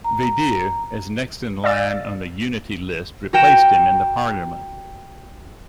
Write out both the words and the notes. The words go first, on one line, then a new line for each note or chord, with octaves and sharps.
Vaidere, as next in line on the Unity list, replaced him in the Parliament.
A#5
D5 F5 E6 A6
F#4 A#4 G5 E7